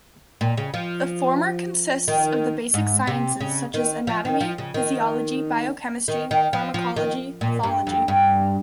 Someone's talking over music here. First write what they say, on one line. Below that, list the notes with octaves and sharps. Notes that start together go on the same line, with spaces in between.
The former consists of the basic sciences such as anatomy, physiology, biochemistry, pharmacology, pathology.
A#2
C#3
F3
D#3
G#2
C3
C#3
D#3
F3
D#3
F3
C#3
D#3
D#3
D#3
F3
F3
D#3
A#2
G2
F2
G2